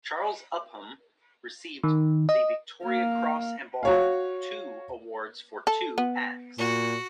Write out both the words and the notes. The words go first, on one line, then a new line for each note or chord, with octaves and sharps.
Charles Upham received the Victoria Cross and Bar; two awards for two acts.
D#3
D#5
A#3 F5
F#4 C#5 F5
A4
B3
A#2 F#4